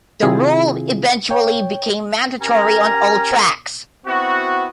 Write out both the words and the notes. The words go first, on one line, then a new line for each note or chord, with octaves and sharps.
The rule eventually became mandatory on all tracks.
C3 D#3 C4 E4 F4 G#4
C#5 G5
C#4 G4 A#4 A#5
B3 C4 E4 F#4